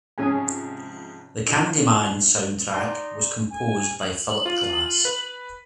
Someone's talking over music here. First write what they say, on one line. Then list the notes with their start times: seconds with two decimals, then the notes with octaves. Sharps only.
The "Candyman" soundtrack was composed by Philip Glass.
0.18 G#2 C3 F3 C#4 G#4 G#5
1.48 D4 F4
2.74 D#4 D5 C6
3.51 G#5
4.00 F#7
4.46 F4
5.05 B4